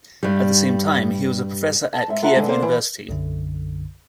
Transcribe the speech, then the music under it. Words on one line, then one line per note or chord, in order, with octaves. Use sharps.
At the same time, he was a professor at Kyiv University.
G2 G3
A5
G#2 E5
F4 E5 F#5 A5 A#5
G2 D3 G#3
D3 A#3 C5 F5
E3
B1 F#2 D3